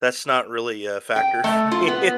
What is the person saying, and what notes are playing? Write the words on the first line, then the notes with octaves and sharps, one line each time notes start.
that's not really a factor for me.
G5
A3
F4
B3